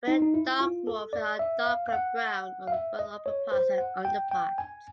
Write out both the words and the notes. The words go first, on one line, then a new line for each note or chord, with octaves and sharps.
Rare dark morphs are a darker brown on both upperparts and underparts.
D#4
D#4
E4
F4
A4
D5
E5
F5
F5
F#5
F5
E5
D#5
C#5
C5
F#5
G5
G5
G#5